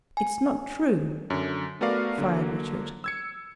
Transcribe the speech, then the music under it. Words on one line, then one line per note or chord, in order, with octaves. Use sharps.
"It's not true!" fired Richard.
G#5
F#2 D3
A3 B3 F#4 A#4 D5 F5
D3 F#3 A#3
E6 G#6 C#7